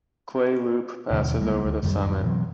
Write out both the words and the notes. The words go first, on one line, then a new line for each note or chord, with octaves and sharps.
Clay Loop passes over the summit.
D#2 B2 D3 E3
C#2 G3 G#3 A#3
D2
D1 F#2 D#3 G3
B2 E3 F#3 C4